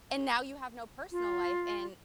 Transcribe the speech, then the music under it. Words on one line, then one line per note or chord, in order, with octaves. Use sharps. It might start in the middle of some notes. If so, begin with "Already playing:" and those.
And now you have no personal life and
F4